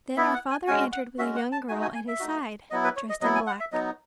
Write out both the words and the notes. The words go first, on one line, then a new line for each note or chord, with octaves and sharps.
Then our father entered with a young girl at his side dressed in black.
B3 E4 E5
F#5
G#5
G#3 C#4 F#4 G#5
F#5
G#3 C#4 F#4 E5
F#5
A5
A3 D#4 F#4 G#5
G#5
G#5
E5
A3 D#4 F#4
F#3 B3 E4 D#5
B4
C#5
D#5
F#3 B3 E4 D#5
G#5
F#5
E5
F#3 B3 D#4 D#5